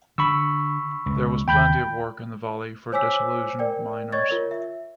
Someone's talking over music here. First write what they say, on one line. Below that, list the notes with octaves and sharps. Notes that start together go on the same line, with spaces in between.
There was plenty of work in the valley for disillusioned miners.
D3 B5 C#6 E6
C#2
D#2 G5 B5 G6
C5 C#5 G#5 D6 E6 B6
A#4 D5 G5
C#5 D#5 C#6 G#6 A6
F4 A#4 C#5
E5